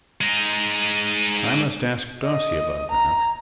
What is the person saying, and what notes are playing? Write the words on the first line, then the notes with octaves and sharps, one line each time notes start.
I must ask Darcy about that.
G#3 D#4
D#5
A#5